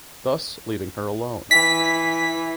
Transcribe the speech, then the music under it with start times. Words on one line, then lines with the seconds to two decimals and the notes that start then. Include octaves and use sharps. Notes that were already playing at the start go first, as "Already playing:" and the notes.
Thus leaving her alone.
1.51 E3 B6